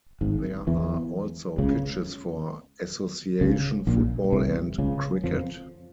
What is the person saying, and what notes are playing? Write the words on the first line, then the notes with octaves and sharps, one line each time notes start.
There are also pitches for Association Football and cricket.
G#1 G#2
E2 E3
C#2 C#3
C#2 C#3
A#1 A#2
C2 C3
C#2 C#3
F2 F3